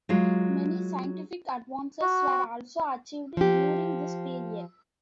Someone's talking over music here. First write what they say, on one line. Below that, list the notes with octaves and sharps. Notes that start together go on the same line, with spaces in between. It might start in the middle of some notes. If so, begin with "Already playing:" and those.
Many scientific advances were also achieved during this period.
F#3 G#3 F4
F#4
F3 G4